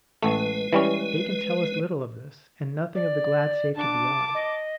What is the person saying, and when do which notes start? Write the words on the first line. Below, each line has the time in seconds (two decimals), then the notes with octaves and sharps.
They can tell us little of this, and nothing of the glad safety beyond.
0.23 A1 G#3 A3 B4
0.73 E3 G3 C#4
2.95 D5
3.76 D4 A5 D6
4.35 D#5